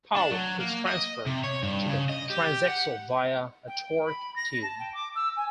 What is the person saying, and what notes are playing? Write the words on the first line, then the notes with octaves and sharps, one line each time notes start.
Power is transferred to the transaxle via a torque tube.
D4
F#3
A#3
D#5
C3
C#5
G2
C#3
D#5
G4
F#5
G5
B5
A#6
A5
G5
D6
E6
G#5